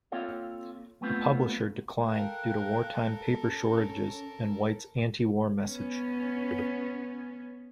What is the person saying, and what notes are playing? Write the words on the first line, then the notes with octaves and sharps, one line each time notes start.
The publisher declined due to wartime paper shortages and White's antiwar message.
A#3 C4 F4 A4 C#5 F5
F#3 A3 B3 C4 F4
A4 A#4 F5 G5 F#6
C#4
B3 C#4